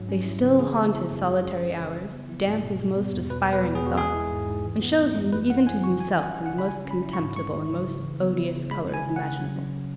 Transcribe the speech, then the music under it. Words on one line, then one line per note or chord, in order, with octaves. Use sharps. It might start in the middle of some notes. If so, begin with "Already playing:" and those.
They still haunt his solitary hours, damp his most aspiring thoughts, and show him, even to himself, in the most contemptible and most odious colours imaginable.
Already playing: G#2 F#3
C#4
E4
C#3
E3 G#4
B3
E4
F#2
G#3
C#4
E4
C#3
E3
B3
E4
G#2
B2
G#3
B3
E2
B2 B4
G#3
B4
B3
G#4
E2
F#4
G#3 G#4
E4
G#2
G#2
E3
B3
E4
F#2
E3 B4
G#3 F#5
E4 G#5
C#3 C#6
E3 G#5
C#4 G#5
F#5
E4
F#5
C#3
B5
G#3 G#5
C#4
B5
E4
C#6
G#2
G#3 C#6
E4
C#3
C#3
E3
B3
E4
C#3
G#3 B5
E4
G#5
C#3
F#5
C#3
F#3
C#4